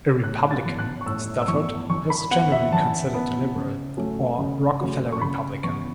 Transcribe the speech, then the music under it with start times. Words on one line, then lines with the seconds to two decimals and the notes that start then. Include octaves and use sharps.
A Republican, Stafford was generally considered a liberal, or "Rockefeller" Republican.
0.23 A2 F#6
0.51 A6
0.65 E3 B3
0.79 F#6
1.01 C#6
1.06 A2 E6
1.42 E6
1.48 E3 B3 C#6
1.90 E3 C#6
2.10 B5
2.31 B3 F#5
2.52 E5
2.72 E3 A5
3.14 B3
3.56 C#3
3.97 F#3 A3 C#4
4.38 C#3
4.81 F#3 A3 C#4
5.12 C#6
5.22 C#3 B5
5.64 E3 B3 C#6